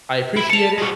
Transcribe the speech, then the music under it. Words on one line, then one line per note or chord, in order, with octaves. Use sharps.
I appreciate it,
E4
A5 C#7 F7
G#3 F#4